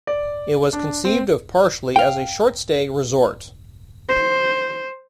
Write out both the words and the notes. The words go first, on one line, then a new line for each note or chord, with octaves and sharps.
It was conceived of partially as a short-stay resort.
D5
D4
C4
F5 G5
C5